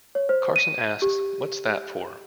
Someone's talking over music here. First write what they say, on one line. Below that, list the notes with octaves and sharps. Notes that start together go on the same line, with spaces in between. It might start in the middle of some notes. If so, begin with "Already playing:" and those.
Carson asks What's that for?
C#5
C5
D#7
G4